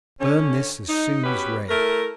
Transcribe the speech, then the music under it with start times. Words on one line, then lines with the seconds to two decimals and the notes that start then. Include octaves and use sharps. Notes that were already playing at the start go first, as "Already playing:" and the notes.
Burn this as soon as read.
0.20 D3 C#4
0.89 D#4
1.24 B3 C#4 F#4 G4 B4
1.69 A3 E4 A#4